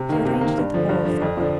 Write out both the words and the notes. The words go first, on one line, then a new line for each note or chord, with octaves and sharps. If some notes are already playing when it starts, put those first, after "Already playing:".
She arranged it all for me.
Already playing: C3
D#3 A#3
C3
D#3 A#3
G2
D3 F3
G2
D3 F3
F2
D3 F3